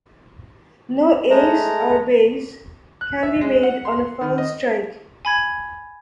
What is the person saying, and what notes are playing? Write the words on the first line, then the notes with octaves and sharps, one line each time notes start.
No ace or base can be made on a foul strike.
G#3 A3 A#5
F#6
E5
G#3
F#5
C6
D#3
D#5
G#5 B5 G#6